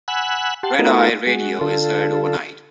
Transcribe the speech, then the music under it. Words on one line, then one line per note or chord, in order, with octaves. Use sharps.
Red Eye Radio is heard overnight.
F#5 G#5 B5 E6 F#6
G4 F#5 A5 C6
A3 B3 D#4 F4 F#4 A#4
G#3 F#4
D3 F4 A4